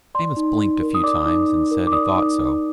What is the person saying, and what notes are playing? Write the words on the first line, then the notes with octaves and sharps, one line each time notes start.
Amos blinked a few times and said he thought so.
D5 C6
D#4
D#4
A#4
D#6
D5 D6
D#4
D#4
A#4
D6
D5 D#6
D#4
D#4